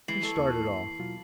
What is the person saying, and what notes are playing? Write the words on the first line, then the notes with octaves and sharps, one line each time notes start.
He started off.
E3 G#3 C7 F#7
A4 C#6
D#2 A#3
B2 F#3 F4